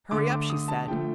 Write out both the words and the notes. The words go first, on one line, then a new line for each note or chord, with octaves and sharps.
"Hurry up," she said.
D3 A3 D6
D6
D#6
A5
D3 F3 A3 G5